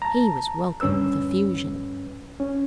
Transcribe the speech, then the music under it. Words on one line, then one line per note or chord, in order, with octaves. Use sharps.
He was welcomed with effusion.
A5 A#5
D2 G2 C#4 B4 E6
C#4